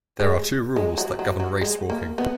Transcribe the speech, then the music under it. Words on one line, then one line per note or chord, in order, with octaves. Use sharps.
There are two rules that govern racewalking.
G#3
G#3
F#3
F#3
F#3
G#3
A#3
B3